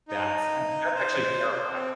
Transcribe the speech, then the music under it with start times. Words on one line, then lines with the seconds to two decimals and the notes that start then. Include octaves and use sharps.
That's I mean, that's actually terrifying.
0.09 D#4
0.95 C5
1.73 C4